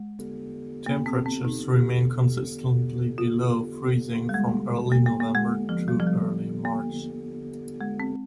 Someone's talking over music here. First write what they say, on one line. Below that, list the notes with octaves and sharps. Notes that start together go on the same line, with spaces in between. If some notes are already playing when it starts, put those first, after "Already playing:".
Temperatures remain consistently below freezing from early November to early March.
Already playing: G#3
A#3
C4
C4
D#4
G4
F4
G3
G#3
A#3
A#3
A#3
G#3
F3
G3
F3
G3
A#3
G#3
C4